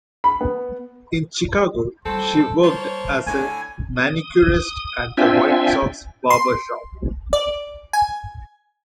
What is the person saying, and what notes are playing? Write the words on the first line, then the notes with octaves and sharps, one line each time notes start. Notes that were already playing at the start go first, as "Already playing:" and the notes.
In Chicago, she worked as a manicurist at the White Sox Barber Shop.
B5
B3
D2 A2 G3 C4 A4
A#3 A4 C5 C#5
A2 D3 D4 G#5
D#6
C4 D4 F4 E5 G5 G#5
C6
D5
G#5